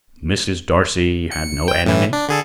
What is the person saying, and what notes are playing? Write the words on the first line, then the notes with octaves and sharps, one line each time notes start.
"Mrs. Darcy had no enemies?"
C#7
G5
A2 E3
D4
D3 G#4 A4